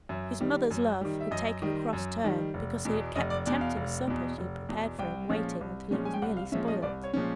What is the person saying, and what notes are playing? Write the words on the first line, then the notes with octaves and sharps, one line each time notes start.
His mother's love had taken a cross turn, because he had kept the tempting supper she had prepared for him waiting until it was nearly spoilt.
F#2 E5
D#3 G3
F#2
D#3 G3
E5
F#2 D#5
D#3 G3
F#2
D#3 G3
F1
E2 B2
F1 D#5
D5
E2 B2 D5
F5
F1
E2 B2
F1
E2 B2
C2 G5
A#2 F3 G#3 C#4
C2
A#2 F3 G#3 C#4
G#5
G5
C2 F#5
F5
A#2 F3 G#3 C#4 E5
D#5
C2 D5
C#5
A#2 F3 G#3 C#4